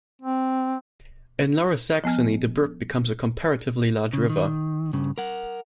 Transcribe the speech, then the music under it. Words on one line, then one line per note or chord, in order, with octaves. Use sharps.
In Lower Saxony the brook becomes a comparatively large river.
C4
F3 B3 G#5 F6
C#3
D#3
G2 C#3
A#4 F#5